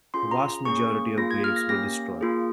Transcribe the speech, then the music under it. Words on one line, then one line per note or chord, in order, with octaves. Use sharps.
The vast majority of graves were destroyed.
C#4 F4 G#4 C6
A#5
A#3 C#4 G#4 C#6
A#3 F4 G#4 A#6
G#6
F6
A#6
A#3 C#4 G4 A#6
A#3 F4 G#4